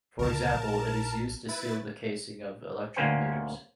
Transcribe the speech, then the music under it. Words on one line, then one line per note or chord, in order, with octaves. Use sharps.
For example, it is used to seal the casing of electric meters.
D2 C#3 F3 A#4 A5
A#1
E4 B4 A6
D2 A#3 C#4 B4 C5 G5